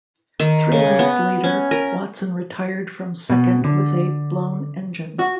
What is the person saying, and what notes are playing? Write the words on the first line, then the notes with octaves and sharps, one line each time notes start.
Three laps later, Watson retired from second with a blown engine.
D#3
C#3
B3
C#4
A#4
B2
D3
F#4